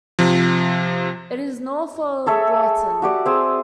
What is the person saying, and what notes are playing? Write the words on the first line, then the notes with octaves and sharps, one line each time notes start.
It is north of Broughton.
C3 F3
G#4 A4 C#5 E5
F#4 G4 D5
C4 G#4 E6